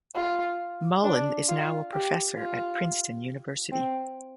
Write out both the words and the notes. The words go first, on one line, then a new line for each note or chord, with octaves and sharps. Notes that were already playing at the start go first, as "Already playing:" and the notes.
Mullen is now a Professor at Princeton University.
F4
D4
F4
G4
F4
C4